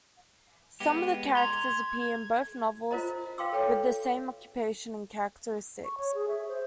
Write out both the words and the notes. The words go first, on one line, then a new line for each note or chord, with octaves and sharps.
Some of the characters appear in both novels with the same occupation and characteristics.
G#3 B3 G4
A#5 C6 G#6
F4 A#4 C5 D#5 A#5
B4 F5 G5 C6 D6 E6
A4 B4 C#5 G5
C#6
C#5
G#4
E5
C5